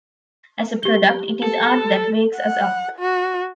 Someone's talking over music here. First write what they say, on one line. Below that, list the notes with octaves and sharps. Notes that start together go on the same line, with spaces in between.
As a product, it is art that wakes us up.
G4 G7
A4
F#5
F#4